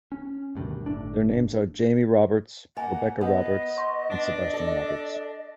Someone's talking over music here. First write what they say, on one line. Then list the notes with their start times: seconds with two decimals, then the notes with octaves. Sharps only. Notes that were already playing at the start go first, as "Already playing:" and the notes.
Their names are Jamie Roberts, Rebecca Roberts and Sebastian Roberts.
0.12 C#4
0.55 D2 G2 B2 D#3
0.86 G1 A2 D4
2.77 A#3 D#5 F#5 G#5 A5
3.21 B3 A#4 C#5 D#5 F#5
3.77 C#5 C6 C#6
4.10 D4
4.53 A4 D5